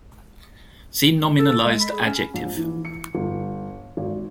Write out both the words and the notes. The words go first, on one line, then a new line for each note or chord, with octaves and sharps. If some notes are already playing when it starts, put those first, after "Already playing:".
See nominalized adjective.
A4
G#3
B5
G#4
C#4
A#1
E3
C#7
G1
G#1